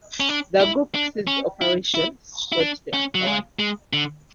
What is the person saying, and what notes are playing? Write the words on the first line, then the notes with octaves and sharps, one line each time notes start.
The group ceased operations shortly afterwards.
C#4
D4
E4
D4
C#4
E4
E4
E4
D4
C#4
F#3
G#3
G#3
D3